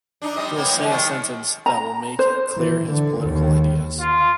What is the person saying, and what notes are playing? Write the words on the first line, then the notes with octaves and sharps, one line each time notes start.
He will say a sentence that will make clear his political ideas.
D4 D#4
G3 C4 D#5
A2 A#3 B3
F2 G#2
D#3 G3 C4
A#5
C5
E3
D3
D#2
F4